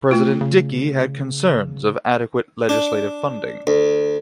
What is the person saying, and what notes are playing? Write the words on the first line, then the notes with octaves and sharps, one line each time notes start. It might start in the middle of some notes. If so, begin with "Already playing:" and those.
President Dickey had concerns of adequate legislative funding.
A3 F4
C#3
D4
D2